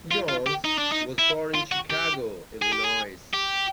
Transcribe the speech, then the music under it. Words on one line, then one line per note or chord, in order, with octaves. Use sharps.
Jones was born in Chicago, Illinois.
F4
F4
G4
D#4
D4
D#4
E4
F4
F#4
G4
G#4
G4
G#4
G4